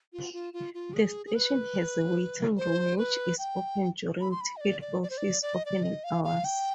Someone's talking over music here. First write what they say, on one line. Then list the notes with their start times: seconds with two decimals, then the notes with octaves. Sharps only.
The station has a waiting room which is open during ticket office opening hours.
0.13 F4
0.33 F4
0.53 F4
0.74 F4
0.94 G#4
1.26 G#4
1.36 B4
2.58 C5
2.98 B4
3.39 G5
4.21 B5
4.31 C6
4.41 B5
4.57 D#5
4.61 D5
4.81 D5
5.02 D5
5.10 C5
5.18 D5
5.42 D5
5.54 D#5
5.65 D5
5.83 D#5
6.04 F5
6.24 F5
6.44 G5